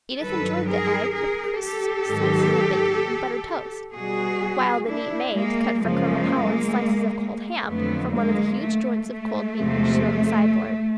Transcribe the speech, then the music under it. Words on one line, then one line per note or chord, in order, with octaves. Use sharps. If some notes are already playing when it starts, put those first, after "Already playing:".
Edith enjoyed the eggs with crisp slices of bacon, and buttered toast, while the neat maid cut for Colonel Howard slices of cold ham from one of the huge joints of cold meat which stood on the sideboard.
G2 D#3 F#3 A4 B4
G#4 A#4
G#4 A#4
G4 A4
G#2 D#3 F#3
B2 G3 F#4 G#4
D4 E4
G#3 A#3
F#2 C#3 F3 G#3 A#3
F2 D3 F#3 A3 B3
G#3 A#3
A3
A3
E2 C3 F3 G#3